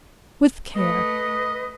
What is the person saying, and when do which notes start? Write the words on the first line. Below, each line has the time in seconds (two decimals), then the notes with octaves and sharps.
With care!
0.75 A3 B4 D#5 D#6